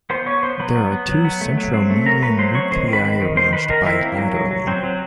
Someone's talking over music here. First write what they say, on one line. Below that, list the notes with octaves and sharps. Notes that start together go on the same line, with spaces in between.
There are two centromedian nuclei arranged bilaterally.
B3 C5 C6
B3 C#5 C#6
B3 C5 C6
F#3 B4 B5
B3
B3
F#3
B3
A3
F#3
C4
A3
F#3 A#4 A#5
A3 B4 B5
F#3 C5 C6
C4 C#5 C#6
D#3 C5 C6
D#3
B4 B5
C4
D#3
D#3 C5 C6
D#3 B4 B5
D#3 A#4 A#5
C4 E4 E5
A#3
F#3
F#3
F#3
F#3 C4 C5
F#3